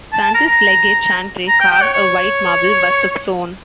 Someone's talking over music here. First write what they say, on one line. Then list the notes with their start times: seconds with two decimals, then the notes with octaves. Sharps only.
Francis Leggatt Chantrey carved a white marble bust of Soane.
0.13 A5
0.23 A5
0.35 A#5
0.47 A#5
1.48 A#5
1.60 G5
1.71 G5
1.82 C#5
1.93 C#5